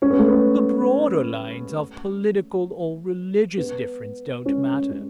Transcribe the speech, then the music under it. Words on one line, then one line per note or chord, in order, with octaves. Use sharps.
The broader lines of political or religious difference don't matter.
C#4
B3
A3
B3
B3
C#4
C#4